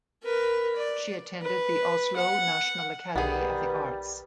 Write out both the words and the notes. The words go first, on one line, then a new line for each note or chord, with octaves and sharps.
She attended the Oslo National Academy of the Arts.
A#4 B4
D5
B4
F#5
B1 D#3 G3 B3 G#4 A#4 B4